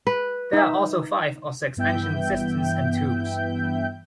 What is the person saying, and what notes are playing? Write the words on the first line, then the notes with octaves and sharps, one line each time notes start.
There are also five or six ancient cisterns and tombs.
B4
D#4 E5
G2 E3 B3 E5 G5 G6